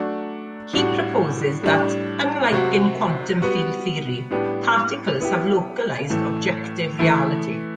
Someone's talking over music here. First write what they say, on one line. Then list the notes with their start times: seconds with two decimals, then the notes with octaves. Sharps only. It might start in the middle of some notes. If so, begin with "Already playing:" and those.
He proposes that, unlike in quantum field theory, particles have localized, objective reality.
Already playing: F#3 A3 D4 F#4
0.73 A2 G3 D4 F#4
1.63 A2 G3 D4
2.52 C3 F#3 C4 F#4
3.42 G3 B3 F#4
4.31 A2 G3 B3 D4 G4
5.20 B3 E4 G4
6.10 A2 E3 A3
6.99 E3 A3 E4